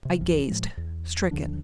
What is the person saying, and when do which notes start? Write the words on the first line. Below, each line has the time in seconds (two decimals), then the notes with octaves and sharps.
I gazed, stricken.
0.05 C3 F#3
0.21 A#1 F2 F3
0.47 A2 F3 G#3
0.77 E2
1.31 D#2 D3 F3 D4